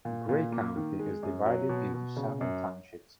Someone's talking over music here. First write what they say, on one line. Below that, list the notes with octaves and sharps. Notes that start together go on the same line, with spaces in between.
Gray County is divided into seven townships.
A#2
A#2
A#3
D#3
G#3
F#2
F#3
B2
B2
C#3
F#2